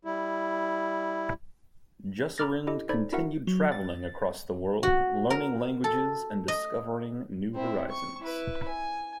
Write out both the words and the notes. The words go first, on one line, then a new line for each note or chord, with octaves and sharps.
Jusserand continued travelling across the world, learning languages and discovering new horizons.
G3 E4
A#5 B5 D6 F6 A6 A#6
E4 G4 A4 D#5
D#4 A4 C5 D5 B5 G#6
D4 E4 F#4 A#4 E5 F#5
F#3
A6
F#4
A#4
A4
D#5
C4 E4
C#6
E4 B4
G#5